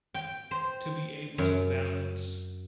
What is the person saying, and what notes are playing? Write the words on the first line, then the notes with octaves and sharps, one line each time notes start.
to be able to balance
G5
C5
F#2